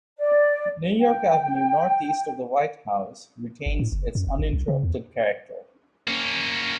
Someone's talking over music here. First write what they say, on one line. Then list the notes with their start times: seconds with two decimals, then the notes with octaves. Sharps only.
New York Avenue northeast of the White House retains its uninterrupted character.
0.19 D5
1.00 G5
3.66 G1
3.79 A2
3.92 F#1
4.15 F#2
4.27 F1
4.39 G#1
4.53 C2
4.68 C#3
4.83 E2
6.07 A#3 C#4